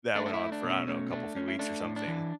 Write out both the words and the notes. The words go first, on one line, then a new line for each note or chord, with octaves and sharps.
that went on for, I don't know, a couple few weeks or something,
A3 D4
D4
E4
A3
D4
B2
C#4
A3 C#4
A3 D4
A3 C#4
E4
A3 D4
A2
D4
E3